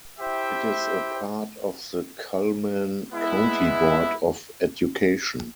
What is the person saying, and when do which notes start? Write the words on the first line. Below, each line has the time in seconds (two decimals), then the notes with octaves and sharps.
It is a part of the Cullman County Board of Education.
0.19 E4 G4 C5 E5 G5
3.11 G#3 B3 E4